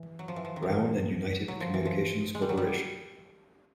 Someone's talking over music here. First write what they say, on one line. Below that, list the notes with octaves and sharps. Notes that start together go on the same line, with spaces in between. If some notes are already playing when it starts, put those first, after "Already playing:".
Brown and United Communications Corporation.
Already playing: E3
F#3
F3
E3
F3
D#3
E3
F#3
F3
E3
F3
G#3
G3
F#3
G3